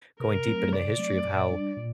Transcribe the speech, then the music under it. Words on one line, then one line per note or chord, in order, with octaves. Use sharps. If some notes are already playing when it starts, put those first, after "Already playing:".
going deep into the history of how,
C3 A#4
F#3 A3 C4
C3 D5
F#3 A3 C4
A#2
G3 D4
A#2